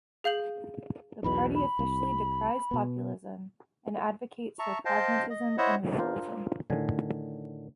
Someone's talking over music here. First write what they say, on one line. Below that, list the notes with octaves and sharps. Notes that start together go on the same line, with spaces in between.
The party officially decries populism and advocates for pragmatism and realism.
G#4 F5 G6 F#7
B1 E2 B2 B5
B5
C2
B2 B3
E5 A5 A#5 C#6
C5 D#5 F5 G5 A5
D#5
E4 C5 C#5 D#5 E5 F#5
D4 F4 A#4 C5
A2 D3 D#3 G#5